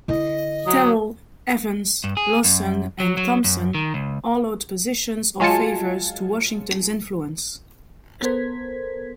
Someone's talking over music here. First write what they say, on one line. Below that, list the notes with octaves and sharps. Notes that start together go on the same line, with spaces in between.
Terrell, Evans, Lawson, and Thompson all owed positions or favors to Washington's influence.
D3 E4 D#5
F#3 D#6
G2
G#4
F#2
F#3
F#3
F#2
D#3
C#2
F#3 G#3 F4 G#5 A5 C#7
B3 A4 A#4 C5 G#6 B6